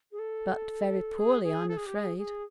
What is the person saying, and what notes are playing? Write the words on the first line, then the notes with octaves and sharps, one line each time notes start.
But very poorly, I'm afraid.'
G#4
A4
G#4
G#4
A4
G#4
G4
G#4
G#4